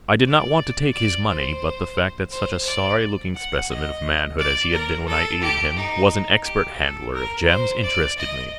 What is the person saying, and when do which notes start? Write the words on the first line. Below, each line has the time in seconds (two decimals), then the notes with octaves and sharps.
I did not want to take his money, but the fact that such a sorry looking specimen of manhood as he had been when I aided him, was an expert handler of gems interested me.
0.24 D5
0.93 D5
1.28 C5
2.31 C5
2.66 D5
3.35 F#5
3.70 D#5
4.39 D5
4.72 A#4
5.07 A4
5.41 G4
5.76 D#4
6.45 G4
6.79 A4
7.14 A#4
7.48 C5
7.83 D5
8.17 D#5